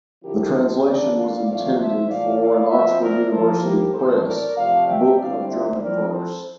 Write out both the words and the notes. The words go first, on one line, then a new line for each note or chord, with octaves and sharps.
The translation was intended for an Oxford University Press book of German verse.
D3 F3 C4 E4 G4 A#4
A4 C5
E3 A3 D4 A#4 D5
D5 F5
A#2 F3 A3 C4 D5 F5
C5 E5
A2 E3 A#3 F4 D5 F5
D5 F5
F3 C4 F4 C5 E5
A#4 D5
F3 A#3 E4 A4 C5
G4 A#4
A2 E3 A3 A4 C5
A#4 D5
C3 F3 A3 D5 F5
E5 G5
D3 G3 C4 E4 D5 F5
C5 E5
F3 C4 E4 A#4 D5
A4 C5